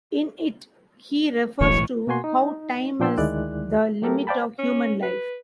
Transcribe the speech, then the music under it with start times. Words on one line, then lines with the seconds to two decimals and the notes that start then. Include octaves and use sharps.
In it, he refers to how time is the limit of human life.
1.61 E1 B1 A2 E3 C#5
2.07 B2 A#3 F#4 G#5 C6
2.24 D#4
3.00 A#2 F3 D4 G5 C6 E6
3.18 D2 D#3 G#3 E4 D5 F#6
4.02 F#3 A3 G4 A4 A#4
4.27 C5 D5 F5 G5 A5 B5
4.59 C#4
5.03 B4